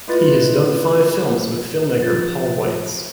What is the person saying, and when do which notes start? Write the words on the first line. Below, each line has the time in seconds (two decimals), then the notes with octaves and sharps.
He has done five films with filmmaker Paul Weitz.
0.08 A3 E4 F4 B4 D#5 A6
2.00 F3 F4 A6